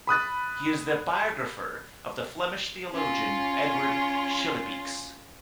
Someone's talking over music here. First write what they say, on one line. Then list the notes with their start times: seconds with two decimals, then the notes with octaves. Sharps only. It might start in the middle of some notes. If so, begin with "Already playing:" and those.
He is the biographer of the Flemish theologian Edward Schillebeeckx.
0.07 B5 D#6 F#6 A6
2.91 C#4 F4